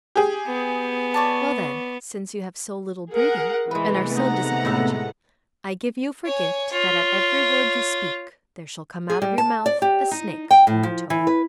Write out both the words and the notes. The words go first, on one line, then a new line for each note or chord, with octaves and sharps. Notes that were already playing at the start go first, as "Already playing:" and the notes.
"Well then, since you have so little breeding, and are so disobliging, I give you for gift, that at every word you speak there shall come out of your mouth a snake or a toad."
G4 G#4
B3
C#5 D5 A5
G#4 A#4 F#5
C3 E3 G#3 A3 B3 B4
D#4 F#5 A#5
A2 G#3 E5
C#5 G#5
F4 C#5
G#4
G3
A5
D5
G4
D#4
G5
A2
F3
E3
B4